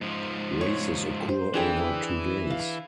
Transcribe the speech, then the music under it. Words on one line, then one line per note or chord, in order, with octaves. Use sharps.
Races occur over two days.
G#2 F3
C#5
C5
E3 D4 G#4 G5
F5